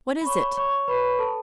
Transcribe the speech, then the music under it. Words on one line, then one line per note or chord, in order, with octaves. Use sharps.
'What is it?
B5
C#5 C#6
C#5 C#6
B4 B5
A4 A5